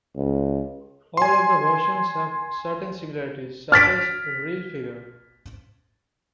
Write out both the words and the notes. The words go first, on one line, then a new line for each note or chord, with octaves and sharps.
All of the versions have certain similarities, such as the reel figure.
C#2
G#5 C6
F6 A6 B6 D7